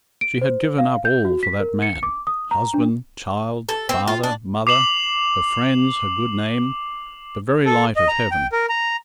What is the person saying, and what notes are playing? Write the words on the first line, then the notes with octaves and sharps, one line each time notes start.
She had given up all for that man--husband, child, father, mother, her friends, her good name, the very light of heaven.
D7
C5
F5
G6
F#4
B6
A#4
C#7
D6
D#6
A#5
D4
A4
C4
F4
D4
D6 C7 E7 F#7
A4
D#5
A#5
G5
A#4
A#5